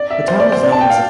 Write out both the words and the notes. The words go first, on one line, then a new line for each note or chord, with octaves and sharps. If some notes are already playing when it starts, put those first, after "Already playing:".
The town is known as a balneologic and climatic resort.
Already playing: D5
E5
C5
D5
C5
D5
A5
G5
F5